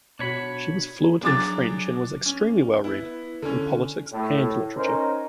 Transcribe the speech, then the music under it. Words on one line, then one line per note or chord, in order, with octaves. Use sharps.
She was fluent in French and was "extremely well read" in politics and literature.
B2 D4 F#4 C#5 B5
F#3 D4 G#4 D6 A6
C#4
B3 E4
D3 C#4
A2
C#4 D#4 A#4 C5